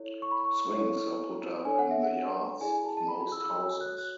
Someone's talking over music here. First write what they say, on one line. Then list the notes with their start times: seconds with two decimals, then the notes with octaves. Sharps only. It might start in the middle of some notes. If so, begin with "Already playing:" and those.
Swings are put up in the yards of most houses.
Already playing: E4 A4 C#5
0.22 C#6
0.31 B5
0.40 C#6
0.70 E4 A4 C#5
1.65 D4 A4 C#5 G#5
1.79 F#5
1.91 E5
2.03 F#5
2.60 E4 G#4 D5 G#5
2.85 A5
2.97 A5
3.08 B5
3.21 B5
3.32 E6
3.44 E6
3.57 F#4 C#5 E6
3.81 F#6
3.98 F#6